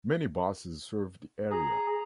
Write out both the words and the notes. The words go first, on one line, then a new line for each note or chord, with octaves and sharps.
Many buses serve the area.
G#4 A#5